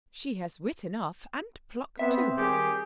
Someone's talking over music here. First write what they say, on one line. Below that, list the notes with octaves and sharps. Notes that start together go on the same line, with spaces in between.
"She has wit enough,--and pluck too."
B3 C4 E5
D#3 G3 G4 G#4